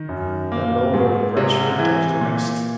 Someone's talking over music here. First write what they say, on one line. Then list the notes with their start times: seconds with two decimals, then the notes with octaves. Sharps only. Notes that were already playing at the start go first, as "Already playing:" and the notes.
The low air pressure does the rest.
Already playing: D#3
0.09 F#2
0.52 A#3
0.94 G#2
1.37 C3
1.79 E3
2.21 A#2